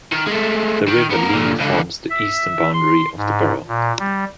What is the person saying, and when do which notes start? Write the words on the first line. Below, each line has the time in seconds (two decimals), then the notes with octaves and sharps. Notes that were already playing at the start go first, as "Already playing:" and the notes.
The River Lee forms the eastern boundary of the borough.
0.12 D#3
0.27 G#3 A3
0.88 D#3
1.10 B3 A#4
1.33 A#2 D3
1.59 C#2 D3
2.10 E5
2.73 C6
3.17 G#2
3.68 A#2
4.00 G3